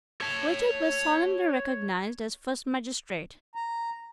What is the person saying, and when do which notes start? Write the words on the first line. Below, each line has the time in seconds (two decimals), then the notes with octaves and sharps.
Richard was solemnly recognised as first magistrate.
0.21 C#5 A5
3.55 A#5